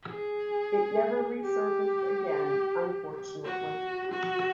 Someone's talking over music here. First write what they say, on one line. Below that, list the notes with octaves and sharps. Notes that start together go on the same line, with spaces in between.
It never resurfaced again, unfortunately.
G#4
G4
F#4
F#4